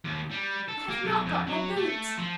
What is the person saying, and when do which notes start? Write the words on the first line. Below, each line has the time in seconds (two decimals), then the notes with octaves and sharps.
I have not got my boots!
0.04 D#2
0.31 G3
0.68 A4
0.89 A#3
1.04 B1
1.26 F2
1.47 F#3
1.76 A3
2.18 F3